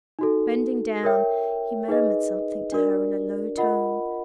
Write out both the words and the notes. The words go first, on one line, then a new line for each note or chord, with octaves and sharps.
Bending down he murmured something to her in a low tone.
D#4 F#4 A4
A#4 C#5 E5 G5
D#4 G#4 B4 D#5
D4 F#4 A#4 D5
F4 A#4 D#5 F#5 B5